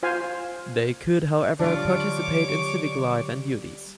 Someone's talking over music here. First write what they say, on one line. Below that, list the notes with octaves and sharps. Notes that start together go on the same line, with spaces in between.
They could however participate in civic life and duties.
F4 C5 F5 G#5
D3 F#3 G3 D4 F4 C#5 D6